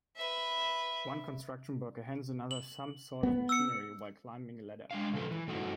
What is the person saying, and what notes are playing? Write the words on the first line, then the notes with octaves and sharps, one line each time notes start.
One construction worker hands another some sort of machinery while climbing a ladder.
B4 E5
F#7
B3
E6 C#7
G#3 D4 F5
C#3 F3 A4 B4
E3
G2 A3 D#4 E4 F#4